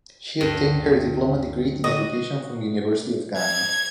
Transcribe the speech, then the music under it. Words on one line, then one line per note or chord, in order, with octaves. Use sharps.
She obtained her Diploma degree in Education from University of Ghana.
D2 G2
F#4 D#5
G#6